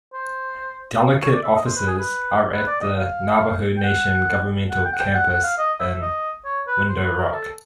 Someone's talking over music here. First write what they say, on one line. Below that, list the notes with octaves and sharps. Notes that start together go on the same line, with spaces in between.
Delegate offices are at the Navajo Nation governmental campus in Window Rock.
C5
C#5
D5
E5
D#5
C5
B4
G#4
B4
B4
D5
D#5
F5
G5
F#5
F#5
G5
F#5
G5
F#5
F#5
F5
D#5
E5
D#5
C#5
B4
C5
B4
A#4
A4